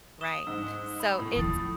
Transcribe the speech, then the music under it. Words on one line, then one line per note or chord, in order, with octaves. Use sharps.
Right. So it's
D#6 E7 G7
G#2 E6
B5
A2
D3 F3 D#6 A6